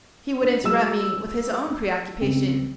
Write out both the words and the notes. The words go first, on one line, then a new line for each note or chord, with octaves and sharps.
He would interrupt me with his own preoccupation.
D4
F#3 G#3 E6 E7
C#2 C4